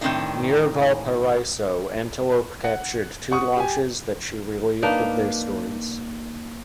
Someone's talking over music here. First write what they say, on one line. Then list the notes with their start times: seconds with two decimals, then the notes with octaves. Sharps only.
Near Valparaiso "Antelope" captured two launches that she relieved of their stores.
0.01 A2 D#3 C4 D4 D#4 D#5
2.64 F#5
3.31 F#5 C#6 D#6
3.57 G4 G#5
4.82 A#3 D4 D#4 B4